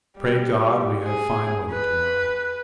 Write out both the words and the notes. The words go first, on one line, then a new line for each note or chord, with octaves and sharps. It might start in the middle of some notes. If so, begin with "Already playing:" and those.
Pray God we have fine weather to-morrow.
G3
G#4
B4